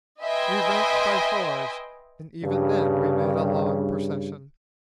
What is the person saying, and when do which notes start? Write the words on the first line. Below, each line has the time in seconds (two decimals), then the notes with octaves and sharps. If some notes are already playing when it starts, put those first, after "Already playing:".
We ranked by fours, and even then we made a long procession.
0.25 B4 D#5 E5 G5 G#5 C6
2.43 G2 C#3